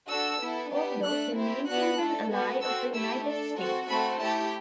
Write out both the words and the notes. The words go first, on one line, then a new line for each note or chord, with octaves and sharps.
Although, he maintained an ally of the United States.
D4 F#4 A4 E6
B3 E4 A4
B3 D4 G4
A3 D4 A4 F#6
C4 E4 G4
B3 D4 F#4 F#6
A3 D4 A4
B3 F#4 A4
C4 F#4 A4 E6
A3 E4 G4 E6
D4 A4
C4 F#4 A4
A3 C4 F#4 A4 B5
A3 E4 G4 A5